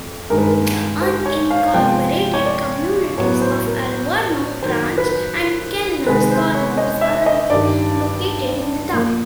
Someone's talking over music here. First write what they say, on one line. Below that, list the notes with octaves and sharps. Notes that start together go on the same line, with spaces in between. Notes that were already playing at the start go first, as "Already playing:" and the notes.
The unincorporated communities of Alverno, Branch, and Kellners Corners are located in the town.
Already playing: F2
G2 D#3 G#3 A#4
B4
A#4
C5
C#5
F5
C3 F3 G#3 B3 G5
C#5
D5
A2 F#3 B3 C#5
C5
A#4
F#2 D#3 F#3 C5
B4
C3 D#3 G#3 B4
C5
C#5
D#5
E5
D#5
G2 D#3 G3 D5
A#2 F3 A#3